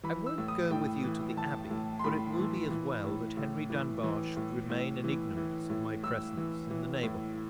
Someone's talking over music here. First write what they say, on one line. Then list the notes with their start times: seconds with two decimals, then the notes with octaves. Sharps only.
I won't go with you to the Abbey; for it will be as well that Henry Dunbar should remain in ignorance of my presence in the neighbourhood.
0.03 E3 B5
0.26 E6
0.38 A2
0.48 D#6
0.71 A2 G5
1.04 E3
1.37 E3 A5
1.71 A2
1.99 C6
2.04 A2 B5
2.38 E3
2.71 E3
3.04 A2
3.37 A2
3.70 E3
4.03 E3
4.37 A2
4.70 A2
5.04 E3
5.37 E3
5.70 A2
6.03 A2 E6
6.37 E3
6.71 E3
7.03 A2